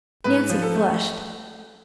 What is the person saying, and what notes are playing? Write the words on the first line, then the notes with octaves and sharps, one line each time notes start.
Nancy flushed.
G#2 B4
F3
A4
A3